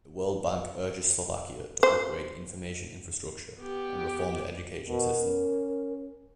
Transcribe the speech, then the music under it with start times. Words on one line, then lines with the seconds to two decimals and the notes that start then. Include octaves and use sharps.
The World Bank urges Slovakia to upgrade information infrastructure and reform the education system.
1.83 C5
3.59 B3 G4
4.88 B2 A#4
5.21 C#4